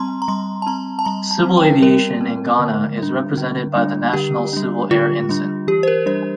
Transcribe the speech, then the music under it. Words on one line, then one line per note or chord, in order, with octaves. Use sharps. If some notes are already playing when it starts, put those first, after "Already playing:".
Civil aviation in Ghana is represented by the national civil air ensign.
Already playing: G3 C4 A5 A#5 C6
A#5
G3 C6
A5
C4 A#5
A5
G3 A#5
A5
C4
G5
G3 A#4
C4
D3
G3 D4
D3
G3 D4
D3 G4
G3 D4
D3 F4
G3 D4
E3 G4
C5
A#4
G3 D4 C5